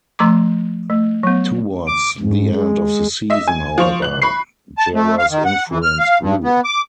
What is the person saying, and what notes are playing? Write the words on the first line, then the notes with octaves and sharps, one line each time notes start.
Towards the end of the season, however, Gera's influence grew.
F3 A3 A#5 C6 D6
A3
F#3 B3
D6
G#2
G#3
D#5 E5
G#5
F3 C5 C#6 F7
F#6 F#7
B5 C#6 F#6 C7
A5
A3
F5
D#3
F#5
E3
F6
F5
G2
B3
D6